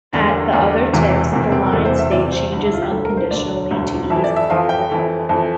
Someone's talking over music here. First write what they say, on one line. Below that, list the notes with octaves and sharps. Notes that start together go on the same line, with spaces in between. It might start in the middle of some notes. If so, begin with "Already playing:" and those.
At the other ticks, the line state changes unconditionally to ease clock recovery.
E2 D3 G3 D4
A#3
E2 D3 G3
E1 E2 C3 E3
E1 E2 C3 E3 A#3
A#3
C4
A#4
E1 E2 C3 E3 A4
C5
E5
E1 E2 C3 E3 D5
C5
E1 D2 D3 D4
E4
F4
G4
E1 D2 D3 A4
A#4
C5
E1 D2 D3 D5
E1 D2 D3
F2 E3 A3 E5
D5
E5
F2 E3 A3 F5
G5
F2 E3 A3
F2 E3 A3